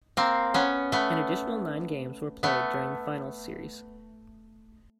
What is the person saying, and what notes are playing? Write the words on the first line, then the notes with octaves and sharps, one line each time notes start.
An additional nine games were played during the finals series.
A#3 C4
B3 C#4
A3 B3
A3 B3